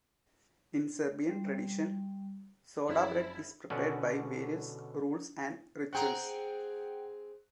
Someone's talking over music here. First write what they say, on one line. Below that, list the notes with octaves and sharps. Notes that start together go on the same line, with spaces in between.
In Serbian tradition, soda bread is prepared by various rules and rituals.
G3
F#1 C4 E4 B6
B2 D3 C#4 D5 F#5
C4 G#4 F#5 G5 A#5